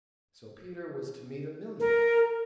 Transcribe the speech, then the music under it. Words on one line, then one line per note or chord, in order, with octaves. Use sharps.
So Peter was to meet a millionaire!
A#4